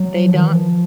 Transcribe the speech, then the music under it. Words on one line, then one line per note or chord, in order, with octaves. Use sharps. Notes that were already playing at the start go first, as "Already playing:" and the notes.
They don't.
Already playing: F#3
F3
D#3
E3
F3